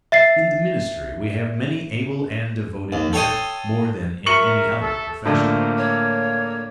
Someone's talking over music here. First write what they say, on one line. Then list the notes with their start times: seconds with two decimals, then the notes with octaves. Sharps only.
In the ministry we have many able and devoted men--more than in any other profession.
0.12 E5 A6 C7
2.92 D#2
3.13 A4 C#5 G5 C6 D#6
4.26 A#4 E5 C#6 C#7 F#7
4.81 A4
5.25 A2 D3 A#3 F4 C5
5.77 C#5